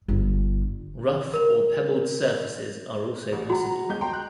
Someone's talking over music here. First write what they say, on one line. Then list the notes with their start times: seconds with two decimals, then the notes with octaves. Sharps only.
Rough or pebbled surfaces are also possible.
0.08 G1
1.34 A#4 F7
3.32 A1
3.50 F#4 F#5 A#5
3.89 G1 G#3 G6
4.01 G5 A#5 C6
4.13 F#6